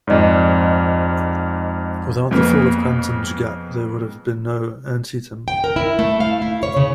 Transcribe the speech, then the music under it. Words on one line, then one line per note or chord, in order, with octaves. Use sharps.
Without the fall of Crampton's Gap there would have been no Antietam.
F2 G#2 D5 D#5
F2 C#3 A#3 B3
G5
A#4
E4
A3
F5
E4
C#5
C#3